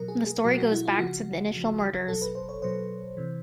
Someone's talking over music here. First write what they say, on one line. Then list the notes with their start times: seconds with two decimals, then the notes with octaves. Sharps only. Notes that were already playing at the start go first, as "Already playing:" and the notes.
The story goes back to the initial murders.
Already playing: B2 F#3 A#4
0.08 G#4
0.26 G#4
0.44 B2 F#3 F#4
0.58 F#4
0.72 E4
0.85 F4
0.99 C#3 F3 F#4
1.54 C#3 F3
2.08 B2 F#3 A4
2.22 B4
2.35 C5
2.49 C#5
2.62 B2 F#3 C5
3.17 C3 E3